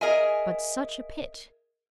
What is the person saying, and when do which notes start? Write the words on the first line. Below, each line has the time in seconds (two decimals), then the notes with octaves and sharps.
But such a pit!
0.01 G#4 A#4 D#5 E5 G#5